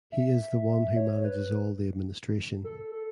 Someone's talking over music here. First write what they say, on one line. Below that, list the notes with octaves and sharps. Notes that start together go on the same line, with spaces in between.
He is the one who manages all the administration.
E5
C#5
C#5
B4
A4
A4